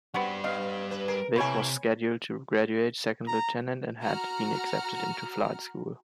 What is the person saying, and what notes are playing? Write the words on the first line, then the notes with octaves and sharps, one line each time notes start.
Vic was scheduled to graduate second lieutenant and had been accepted to flight school.
G3 B3 C4 D4 F#4
B3 D#5 F5
B4
G#4 A#4
C3 A3 A#3 E4 B4 C#5 G#5
A#5
F#4 F#5 A#5 F6